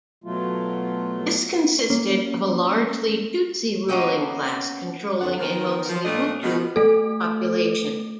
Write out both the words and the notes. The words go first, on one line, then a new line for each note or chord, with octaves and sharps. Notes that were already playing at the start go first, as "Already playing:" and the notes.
This consisted of a largely Tutsi ruling class controlling a mostly Hutu population.
B2 F#3 A3 F4
A#3 C#4
A#3 B3 C#4 F#4 D#5 G5
F2 D3 E3 F4 F#5
D#3 F3 B3 A#4
F3
A#2 A3 D4 F4 A4 D#5
B2 D#3 G#3
A3 A4